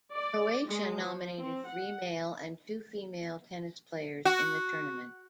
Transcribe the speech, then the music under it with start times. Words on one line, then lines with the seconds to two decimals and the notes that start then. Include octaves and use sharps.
Croatia nominated three male and two female tennis players in the tournament.
0.14 D5
0.67 G#3
1.03 F3
1.38 C4
1.68 F#5
4.25 F#4